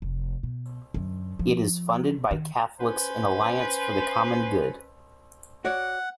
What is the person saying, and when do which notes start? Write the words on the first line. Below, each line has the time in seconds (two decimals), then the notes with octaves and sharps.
It is funded by Catholics in Alliance for the Common Good.
0.02 F1
0.43 B2
0.94 F#2 D3
1.39 F3
2.31 D#3
2.80 C#4 B4 C5
5.65 F#4 C#5 D5 F#5